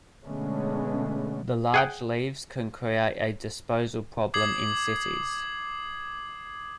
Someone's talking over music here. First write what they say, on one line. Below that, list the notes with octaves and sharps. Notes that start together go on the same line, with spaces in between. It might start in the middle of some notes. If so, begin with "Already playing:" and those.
The large leaves can create a disposal problem in cities.
B2 D3 G#3 A3 B3 C#4
G#4 F#5 G5
D6 D#6 G#6 C7 F#7